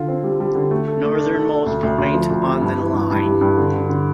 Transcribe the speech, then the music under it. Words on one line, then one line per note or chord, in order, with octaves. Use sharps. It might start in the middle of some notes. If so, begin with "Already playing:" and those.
Northernmost point on the line.
Already playing: D3 F4
C4
G3
G3
D3
A3
A4
A3
D4
A4
A4
D2
D2
D2
F3
D2
C3
G2
E3
G2
G2
G3
G2
D3
D3
D3